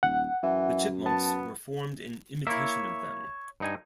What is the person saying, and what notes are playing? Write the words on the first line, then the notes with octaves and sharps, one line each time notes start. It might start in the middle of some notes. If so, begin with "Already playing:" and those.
The Chipmunks were formed in imitation of them.
D#1 F#5
F#2 E3
B3 A5
A#3 E4 C#5 E5
G2 D#4 G#5